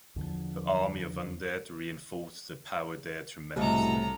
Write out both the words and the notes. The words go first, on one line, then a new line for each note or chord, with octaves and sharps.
Her army of undead reinforces her power there tremendously.
E2 D3 F3
C2 A2 C#3 F#4 A4 D#5 A#5